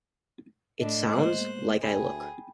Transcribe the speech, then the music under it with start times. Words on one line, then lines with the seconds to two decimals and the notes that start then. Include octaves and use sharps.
It sounds like I look.
0.80 A2 D4 D#5
1.12 G#3 A#3 B3 C5 F#6
1.83 D2 G#4 G5 B5